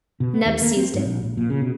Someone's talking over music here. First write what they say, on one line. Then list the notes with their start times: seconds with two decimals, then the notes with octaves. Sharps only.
Neb seized it.
0.20 B2
0.34 B3
0.45 D#2
0.62 A#3
0.76 C4
0.94 G#2
1.05 A#1
1.24 A#1
1.37 A#2
1.50 C#3
1.62 B2